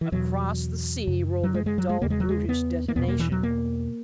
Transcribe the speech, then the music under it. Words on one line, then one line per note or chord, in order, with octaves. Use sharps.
Across the sea rolled a dull, brutish detonation.
E3
E2 B2 F#3
F#2 C#3
F#3
G#3
G#3
F#3
G#3
E2 C#3 A#3
G#3
F#3
G#3
B3
A#3
E2 B2 B3
A#3
E3
F#3
A#3